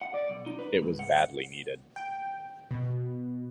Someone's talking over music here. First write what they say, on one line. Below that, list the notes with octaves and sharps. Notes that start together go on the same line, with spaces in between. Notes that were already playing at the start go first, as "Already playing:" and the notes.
It was badly needed.
F#5
D5
B1
D#4
B4
G#2
F#5
G5
B2